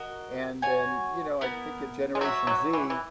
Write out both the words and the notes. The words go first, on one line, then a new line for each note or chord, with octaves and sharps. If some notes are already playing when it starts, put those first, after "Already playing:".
And, then, you know, I think at Generation Z,
Already playing: F#4 A#4 D#5
F#4 C#5 G#5
B3 E4 A#4
G#3
F#3 F#4 C#5 E5
F#3
E3
E3